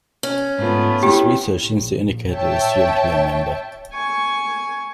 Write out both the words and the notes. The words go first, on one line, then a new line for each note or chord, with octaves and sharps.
This research seems to indicate that it is too young to be a member.
C#4
G#2 A3 B3 F4
E4 G4 G5
A#1
C#5 E5 G5 A5
G#5 C#6